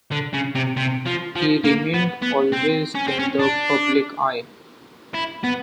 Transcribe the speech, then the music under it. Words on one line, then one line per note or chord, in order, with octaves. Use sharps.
He remained always in the public eye.
D3
C#3
C3
C3
F3
F3
A#3
B3
B3
C4
C#4
C4
C#4
D4
E4
B3